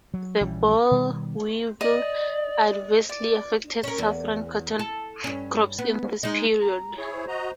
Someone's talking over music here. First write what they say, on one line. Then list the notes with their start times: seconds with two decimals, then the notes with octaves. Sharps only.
The boll weevil adversely affected southern cotton crops in this period.
0.14 F#3
0.41 A#1 E3 G3 C#4
0.91 B2 D#3 G3 B3
1.81 D5 D#5
3.09 D5
3.84 C#4 A#4
3.98 E2
4.79 A4
5.24 G2 C#4
5.78 B3
6.23 G#3 D#4
6.62 A#5
6.97 E4 G#4 C#5
7.12 C5
7.28 F#4 D#5 A#5